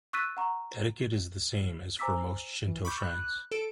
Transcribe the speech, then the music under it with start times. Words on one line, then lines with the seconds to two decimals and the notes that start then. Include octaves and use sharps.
Etiquette is the same as for most Shinto shrines.
0.13 C#6 E6 F#6 A6 B6 D#7
0.37 F#5 A#5 C#6
1.99 C5 G#5 A#5 D6 E6 B6
2.66 E3
2.85 B5 C#6 D6 G6
3.03 F#6
3.51 A4 D7